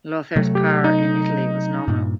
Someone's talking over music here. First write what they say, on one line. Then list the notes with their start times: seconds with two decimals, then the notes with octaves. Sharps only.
Lothair's power in Italy was nominal.
0.36 C3 F#3 A3
0.55 G4
0.84 D#4
1.88 G2 A#2